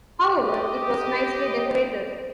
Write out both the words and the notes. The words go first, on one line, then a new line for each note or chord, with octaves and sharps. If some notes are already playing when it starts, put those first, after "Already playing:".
However, it was nicely decorated.
G4 D#5